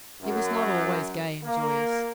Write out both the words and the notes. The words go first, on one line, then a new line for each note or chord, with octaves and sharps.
He was not always gay and joyous.
F#2
A#3